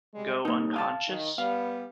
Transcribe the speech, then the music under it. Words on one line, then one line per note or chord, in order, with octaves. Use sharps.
go unconscious?
G3 G#3
A2 G3 A#3 D#4
F5 A5
D#3
G3 B3 F5